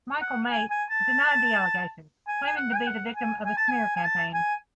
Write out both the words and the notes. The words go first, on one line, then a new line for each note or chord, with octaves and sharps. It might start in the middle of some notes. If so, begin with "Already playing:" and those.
Michael Mates denied the allegations, claiming to be the victim of a smear campaign.
F#5
G#5
G#5
A5
G#5
G#5
F#5
G#5
F#5
G#5
G#5
A5
G#5
G#5
A5
G#5